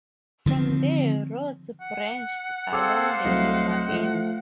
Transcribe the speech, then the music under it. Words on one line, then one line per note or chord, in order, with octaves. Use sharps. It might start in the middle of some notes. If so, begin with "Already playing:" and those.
From there roads branched along the River Inn.
D3 D#3 F3 C4
F#5
C4 G#4 A4 C5 F5 D6
C2 F#3 A3 D#5
F3 A3